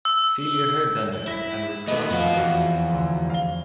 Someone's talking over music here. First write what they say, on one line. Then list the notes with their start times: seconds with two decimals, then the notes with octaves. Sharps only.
Celia heard that note and was quelled by it.
0.05 E6
1.27 E4 A#6 B6
1.88 D#3 A3 B3 D#5
2.10 F2 B3 F#4
2.37 E2 F#4
2.91 D2
3.30 F5 G7